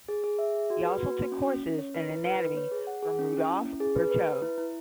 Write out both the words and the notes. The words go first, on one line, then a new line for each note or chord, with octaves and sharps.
He also took courses in anatomy from Rudolf Virchow.
G#4
G#4
E5
G#4
F#4
B4
F#4
F#4
C#4
C#4
C#4
C#5
B4
E4
B4
B4
C#5
G#4
F#5
G#4
C#4
C#4
E4
C#4
G#4
B4
B4
B4
E4
E4